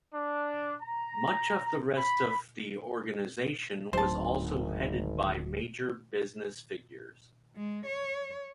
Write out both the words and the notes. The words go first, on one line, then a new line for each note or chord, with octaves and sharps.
Much of the rest of the organization was also headed by major business figures.
D4
A#5
B5
D1 G#1 D2 F#3 C5 A5
G#3
C#5